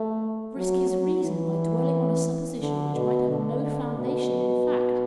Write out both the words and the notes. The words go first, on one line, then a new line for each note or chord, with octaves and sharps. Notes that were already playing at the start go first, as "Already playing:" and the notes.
Risk his reason by dwelling on a supposition which might have no foundation in fact?
Already playing: A3
F#3
F#3
E3
D3
B2
D3
D3
B2